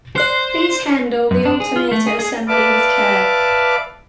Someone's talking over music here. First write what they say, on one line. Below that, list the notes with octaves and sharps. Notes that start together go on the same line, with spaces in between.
Please handle the alternator assembly with care.
C5 D5 F#6 C7
F#2
D4
G#4
F4
A3
G#4
G#4
B4 D5 E5 F5 A5 D6